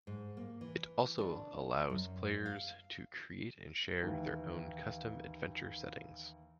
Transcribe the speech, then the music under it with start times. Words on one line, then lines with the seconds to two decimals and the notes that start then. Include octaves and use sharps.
It also allows players to create and share their own custom adventure settings.
0.07 G#2
0.37 A#3
0.61 E3
1.18 D4
1.90 F#2
2.46 F5
4.03 D#2 E3